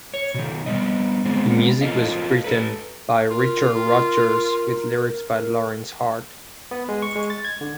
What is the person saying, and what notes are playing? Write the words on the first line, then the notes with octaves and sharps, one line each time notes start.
The music was written by Richard Rodgers, with lyrics by Lorenz Hart.
C#5
B2 D#3
G3 B3 D#5
D#3 G#3 B3 C4
F4 A4 A#4 D#5 F5
A4 B4
F4 A#4
B3
G#3
C#6
G#3
A6
G#6
D3